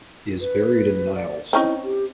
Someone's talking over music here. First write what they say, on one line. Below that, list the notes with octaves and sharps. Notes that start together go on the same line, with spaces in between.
He is buried in Niles.
B4
D5
C4 C#4 D#4 E4
G4